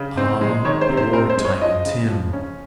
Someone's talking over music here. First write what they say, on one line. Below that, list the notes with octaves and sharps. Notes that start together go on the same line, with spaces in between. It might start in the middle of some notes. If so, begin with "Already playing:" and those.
Ah, poor Tiny Tim!
Already playing: C#3
C4
G#3
D#3 C#5
C5
C3
C5
C4 A#4
C5
G#3
C#5
F3 D#5
C#3
F3
C#4